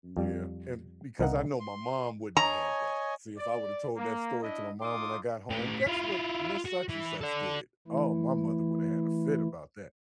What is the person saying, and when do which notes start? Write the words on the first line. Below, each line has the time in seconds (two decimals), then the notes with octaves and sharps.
Yeah. And because I know my mom wouldn't had that. See, if I would've told that story to my mom when I got home, "Guess what Miss such and such did?" Oh, my mother woulda had a fit about that.
0.17 F2 G3
1.19 C2 A#4 D#5 F5 F#5 A#5
1.60 C6
2.37 C#5 D#5 G#5 A#5
3.37 D5
3.96 A#3
4.43 D4 E4 D#5
4.81 D#4 F4 C6 D6 D#6
5.50 A2 G4
5.87 E4 F4
6.65 F#4
6.89 E3
7.21 A4 D5
7.88 E3 A3 E4